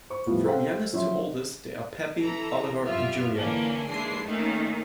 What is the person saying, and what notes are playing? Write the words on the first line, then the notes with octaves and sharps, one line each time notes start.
From youngest to oldest, they are Peppi, Oliver and Julia.
C5 C#6
E2 A2 F3 G3
A4 C5 F5 G5
F3 F#3 C#4 E5 C6
E3 A4 A#5
F#2 G3 F4 E5 F6
D3 E3 A#3 C#4 D4
D#2 E3 G#3 D4 C7
D#3 A3 A#3 C#4 D#4